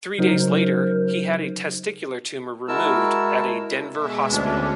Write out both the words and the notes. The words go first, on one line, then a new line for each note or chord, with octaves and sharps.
Three days later, he had a testicular tumor removed at a Denver hospital.
C#3 F#3 D#4 A#4 C5
G#3 E4 F#4 A#4 A5 E6
B2 G#3 E5
D2 C#4 D4